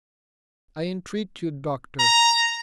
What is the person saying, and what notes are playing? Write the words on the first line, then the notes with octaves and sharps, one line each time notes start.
"I entreat you, doctor!"
A#5